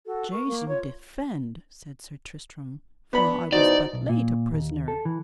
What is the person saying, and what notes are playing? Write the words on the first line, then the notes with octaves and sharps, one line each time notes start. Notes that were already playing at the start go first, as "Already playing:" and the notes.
Jesu defend! said Sir Tristram, for I was but late a prisoner.
F#4 A4
A#4 C#6
A#3
F4 C#5
B3 D4 B5
B2 E3 D#4 F#4 C5 D5
B1
A#2
D#2
A4
E3